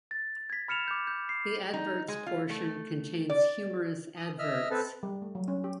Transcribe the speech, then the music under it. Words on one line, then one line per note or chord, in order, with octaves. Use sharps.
The "Adverts" portion contains humorous adverts.
A6
G#6 B6
B5 F6 C#7 E7 F7
D6 G6
G6
C7
D#4
G#3
F4
A3
D5
D#6
D#5 E5 F6
C4 A4 B4
G3
A3
F#3
C#4
G4